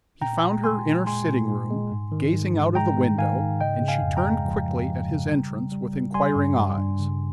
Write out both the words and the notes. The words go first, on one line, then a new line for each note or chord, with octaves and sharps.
He found her in her sitting-room, gazing out of the window, and she turned quickly at his entrance with inquiring eyes.
A#2 G5 A#5
A#2
G#3 G#5 C6
A#2
G#3 G#5 C6
A#2
A#2
G#3
G#2
D#3
G#2
G#2
G#3 G5 A#5
G#2
D#3 F5 G#5
G#2
C#3 D#5 G5
C#3
F5 G#5
F2
G5 A#5
G#3
F3
F3
F3
C#3
G3
G3
G3
G3
G3 G#5 C6
G2
G3
G2
C#3